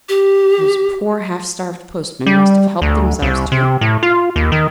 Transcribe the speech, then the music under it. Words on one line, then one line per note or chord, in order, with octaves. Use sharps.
"Those poor, half-starved postmen must have helped themselves to it."
G4
G3
D2
C2
C3
A2
F4
D#2
D#3